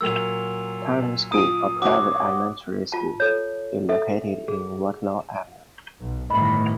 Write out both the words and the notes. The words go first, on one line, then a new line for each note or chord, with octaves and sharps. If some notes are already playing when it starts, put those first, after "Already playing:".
Tarleton School, a private elementary school, is located on Waterloo Avenue.
A#2 F#3 A#3 E6 F7
F4 D#6 D7 D#7
F#4 C#5 D6
F4 A5
A4 C#5
A4 E5
G#4
B1
G1 A2 D#3 E3 D#5 B5